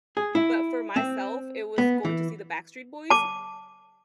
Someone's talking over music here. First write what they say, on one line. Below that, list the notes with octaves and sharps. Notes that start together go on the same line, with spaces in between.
but for myself, it was going to see The Backstreet Boys,
G#4
E4
C4
B3
E3
A5 D6